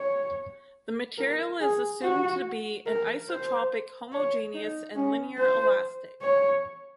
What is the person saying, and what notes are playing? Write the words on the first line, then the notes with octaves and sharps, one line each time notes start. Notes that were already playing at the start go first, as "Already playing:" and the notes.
The material is assumed to be an isotropic, homogeneous, and linear elastic.
Already playing: C#5
A#4
G#4
F#4
A#4
C5
C#5
D#4
C#4
C5
C#5